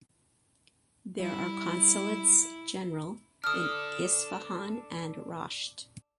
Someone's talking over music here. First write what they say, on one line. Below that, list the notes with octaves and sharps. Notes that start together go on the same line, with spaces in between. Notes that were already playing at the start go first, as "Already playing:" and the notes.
There are consulates general in Isfahan and Rasht.
G3 E4
D4 A4 D#6 F6